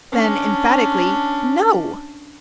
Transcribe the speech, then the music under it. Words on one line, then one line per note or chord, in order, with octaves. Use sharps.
Then, emphatically, "No!"
C#4 D4